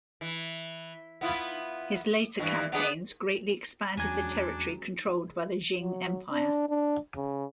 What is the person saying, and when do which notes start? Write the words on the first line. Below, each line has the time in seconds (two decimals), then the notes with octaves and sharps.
His later campaigns greatly expanded the territory controlled by the Qing Empire.
0.21 E3
1.21 B3 E4 F4
2.40 G2 E3
2.72 B3 D4 G#4
3.97 E2 F#3 G#3 C#4 D4 G#5 A#5 G#6
5.79 F#3
6.31 D4
6.69 D4
7.16 C#3